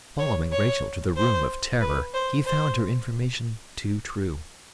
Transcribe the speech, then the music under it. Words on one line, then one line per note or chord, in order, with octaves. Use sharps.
Following Rachel to the room of terror he found her information too true.
C#5
C#5
C5
B4
C5
C5